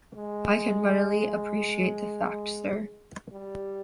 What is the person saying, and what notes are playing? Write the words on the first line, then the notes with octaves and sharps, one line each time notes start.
I can readily appreciate the fact, sir.
G#3
G3